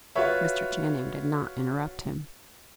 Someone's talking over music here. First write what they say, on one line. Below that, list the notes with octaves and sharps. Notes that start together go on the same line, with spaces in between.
Mr. Channing did not interrupt him.
F4 F#4 B4 C#5 E5